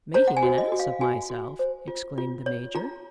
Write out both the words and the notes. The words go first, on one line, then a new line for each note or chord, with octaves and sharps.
"Making an ass of myself!" exclaimed the Major.
C5 A#5
F#5
G#5
F#4
D#5
F#4
F5
F#4 G#5
F#4
C5
F4
F4
C#5
F4 A#5